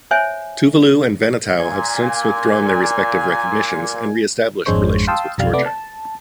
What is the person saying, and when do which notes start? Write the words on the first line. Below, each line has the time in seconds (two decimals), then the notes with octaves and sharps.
Tuvalu and Vanuatu have since withdrawn their respective recognitions and reestablished relations with Georgia.
0.11 C5 C#5 E5 G#5
1.60 A#2 G#5
4.66 G#1 F2 G#3 D4 C5 C#5
5.07 F5 G5 A5 C6 D#6 E6
5.38 B1 F2 G3 F5 F6
5.53 C3 A3 B3 D5 D6
5.66 A5